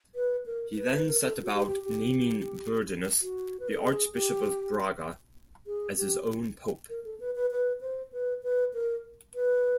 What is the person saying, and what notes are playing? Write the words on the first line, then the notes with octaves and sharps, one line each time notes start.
He then set about naming Burdinus, the archbishop of Braga, as his own pope.
B4
A#4
B4
B4
A#4
A4
F#4
G4
G4
G4
F#4
B4
A#4
A4
G#4
G4
G#4
G4
A#4
A4
B4
B4
B4
C5
B4
B4
A#4
B4